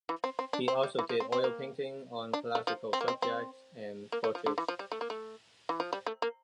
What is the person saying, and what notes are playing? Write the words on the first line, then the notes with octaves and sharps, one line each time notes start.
He also did oil paintings on classical subjects, and portraits.
E3
C4
C4
D4
C4
G3
E3
F3
C4
C4
A#3
D4
A3
F3
C4
A#3
C4
C4
A#3
A3
F3
D3
E3
F3
G3
A3
A#3
A3
E3
F3
G3
A3
A#3